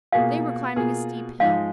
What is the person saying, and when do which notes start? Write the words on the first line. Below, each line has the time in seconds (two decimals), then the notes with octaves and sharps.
They were climbing a steep hill.
0.12 B2 A#3 F4 G#4 F5
0.76 B2 A#3 F4 G#4
1.40 G#2 F3 G#3 D#4 F5